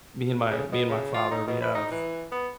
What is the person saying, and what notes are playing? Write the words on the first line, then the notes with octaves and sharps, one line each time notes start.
me and my me and my father, we have
C#3
B2
C#3
F4
D#4
B2
B4
D#4
E3
B3